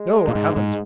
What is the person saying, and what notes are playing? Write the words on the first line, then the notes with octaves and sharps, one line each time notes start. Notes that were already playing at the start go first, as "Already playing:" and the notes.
'No, I haven't.
Already playing: G#3
A#2
G#2
G#2